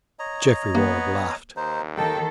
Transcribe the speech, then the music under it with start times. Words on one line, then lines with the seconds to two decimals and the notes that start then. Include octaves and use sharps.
Geoffrey Ward laughed.
0.19 C#5 D#5 A#5
0.75 A#3 B3
1.56 D#2 D#4 C5
1.97 D#3 A4 G5